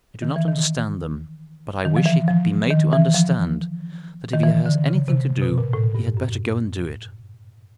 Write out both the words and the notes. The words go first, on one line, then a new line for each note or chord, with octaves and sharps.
I do not understand them; but I wish he could be made to understand that if he has anything to do, he had better go and do it.
D#3
E3
D#3
D#3
F3
E3
F3
D#3
E3
F3
D#3
E3
D3
C#3
C3
B2
A#2
A2
G2
F#2